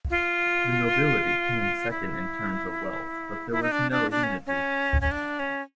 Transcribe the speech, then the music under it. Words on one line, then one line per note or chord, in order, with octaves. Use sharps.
The nobility came second in terms of wealth, but there was no unity.
F4
E4
E4
D#4
D4
D4
D4
C#4
C#4
C#4
D4
C#4